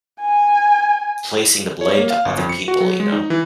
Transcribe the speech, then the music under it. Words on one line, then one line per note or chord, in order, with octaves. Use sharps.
placing the blame to other people, you know?
G#5
C#5
A#3
F5
G1
F2
C#7
F#4
F#3
G#3
D#4
E3